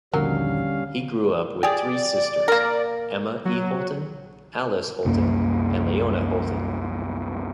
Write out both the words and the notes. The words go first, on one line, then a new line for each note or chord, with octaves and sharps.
He grew up with three sisters: Emma E. Holton, Alice Holton and Leona Holton.
A#1 D#2 D3 F#3 G3 C#4 A#4 F5
G4 G#4 D5
A#3 A#4
F#3
C2 F#2 A#3